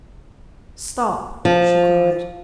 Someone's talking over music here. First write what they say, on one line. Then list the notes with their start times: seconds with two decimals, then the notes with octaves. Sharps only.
"Stop!" she cried.
1.45 F3